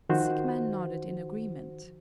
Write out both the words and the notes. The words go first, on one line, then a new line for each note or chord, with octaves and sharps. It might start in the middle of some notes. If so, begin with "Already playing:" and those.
The sick man nodded in agreement.
D#3 F3 F#4 C5